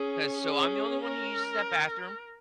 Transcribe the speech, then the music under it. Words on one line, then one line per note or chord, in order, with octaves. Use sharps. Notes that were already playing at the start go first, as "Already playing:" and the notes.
'cause so I'm the only one who uses that bathroom,
Already playing: C#4 G#4
G#4
A#4